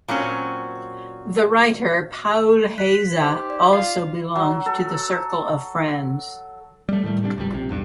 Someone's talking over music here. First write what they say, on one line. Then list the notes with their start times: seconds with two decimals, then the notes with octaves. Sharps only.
The writer Paul Heyse also belonged to the circle of friends.
0.08 A#2 F#3 C4 C#4
2.78 F#6 B6
3.21 D#4 G4 C5 C6
3.50 D5
3.72 F4
4.36 F#3
4.66 A4
6.89 G3 A3
7.03 A2 D#3 G3 A3
7.23 C3 G3 B3 D4
7.36 G#1 C#2 C3 G3
7.51 A#1 C3
7.69 B1 E2 G2